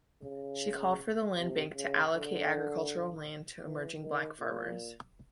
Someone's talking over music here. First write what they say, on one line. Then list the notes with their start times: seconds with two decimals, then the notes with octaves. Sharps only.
She called for the Land Bank to allocate agricultural land to emerging black farmers.
0.22 C#3
1.37 C3
1.74 C#3
2.13 D3
3.64 E3
4.02 D#3
4.40 A#2